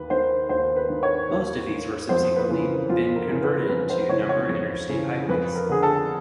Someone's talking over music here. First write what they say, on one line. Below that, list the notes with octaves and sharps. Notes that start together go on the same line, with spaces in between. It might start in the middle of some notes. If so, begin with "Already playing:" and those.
Most of these were subsequently been converted to numbered Interstate highways.
Already playing: D#2 B4
D#3 C5
D#2 C5
B4
D#3
C#5
D#2
D#3
F2 C5
B4
C#3 E3
A#4
F2 F4
A#4
C#3 E3
B4
F2 B4
C5
C#3 E3 C#5
C#5
F2
C#3 E3
F2 B4
A#4
D3 G#4
A4